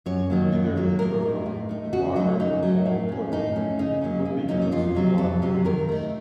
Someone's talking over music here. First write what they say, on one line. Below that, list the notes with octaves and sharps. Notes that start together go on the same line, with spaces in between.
Either Turbo Debugger or CodeView could be used to debug Windows.
F#2 C#5
D#3 F#3 A#3
F#2
D#3 F#3 A#3
A2 A#4
A3 D#4
A2
A3 D#4
C#3 F#4
F#3 A3 D#4
C#3 D#4
F#3 A3
A2
A3 C#4
A2 D#4
A3 C#4
C#3 D#4
F#3 A#3 C#4
C#3
F#3 A#3 C#4 D#4
D#4
F2 F4
C3 F#3 C4
F2 A4
C3 F#3 C4
D#3 A#4
A3 D#4